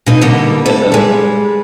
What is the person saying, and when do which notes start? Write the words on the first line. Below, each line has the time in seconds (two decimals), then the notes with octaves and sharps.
And, um,
0.06 B2 D#4
0.21 B2 D3 G3 A#3
0.66 A4
0.92 G3 G#3